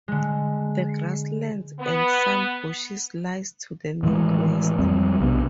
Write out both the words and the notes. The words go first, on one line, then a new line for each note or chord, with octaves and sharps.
The grasslands and some bushes lies to the northwest.
D3 G#3
B3
A2 D#3 E3 G#3
F2 G3 G#3 C4
B1 C3 B3 D4